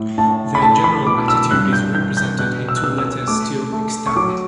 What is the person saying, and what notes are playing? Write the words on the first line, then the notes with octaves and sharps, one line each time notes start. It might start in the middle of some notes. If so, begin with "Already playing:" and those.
Their general attitude is represented in two letters still extant.
Already playing: A2
A2 A5
B5
A3 A5
B5
B2 D6
E6
G2 F#6
G6
E3 G6
G6
B2 F#6
E6
F#6
B2 E6
E6
A3 D6
A3
C#6
F#3 D6